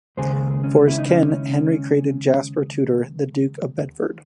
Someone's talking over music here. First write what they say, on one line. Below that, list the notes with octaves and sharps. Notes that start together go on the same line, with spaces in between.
For his kin, Henry created Jasper Tudor the Duke of Bedford.
D#2 C#3 G#3 G#4 C5
C#4
E4
D#4
C#4